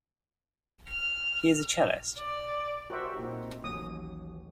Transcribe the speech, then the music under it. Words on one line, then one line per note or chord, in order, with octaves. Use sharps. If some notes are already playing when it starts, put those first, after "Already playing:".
He is a cellist.
F6
D5
F#4 G4 A#4 C5 E5 F#5
A#2 C4 D#4
A1 D#2 F#3 D#6